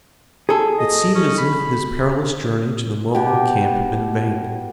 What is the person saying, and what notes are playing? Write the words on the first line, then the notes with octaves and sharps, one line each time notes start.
It seemed as if his perilous journey to the Mohawk camp had been in vain.
G#4 A4
D#5
C#4
B5
B2 G4